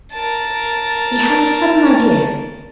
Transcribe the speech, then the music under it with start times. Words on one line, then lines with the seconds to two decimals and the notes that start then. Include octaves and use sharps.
He had a sudden idea.
0.12 A#4 A5